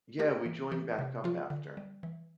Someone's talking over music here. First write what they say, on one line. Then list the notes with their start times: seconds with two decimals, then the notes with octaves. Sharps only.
Yeah, we joined back up after.
0.19 A3 G4 A#4
0.46 E3
0.72 E3 G4
0.99 C3
1.24 F3 F4
1.50 D3
1.77 G3
2.03 E3